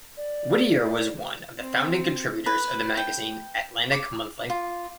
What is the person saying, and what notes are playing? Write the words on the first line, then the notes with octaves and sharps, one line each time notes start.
Whittier was one of the founding contributors of the magazine "Atlantic Monthly".
D5
C4
B4
G5
D6
F4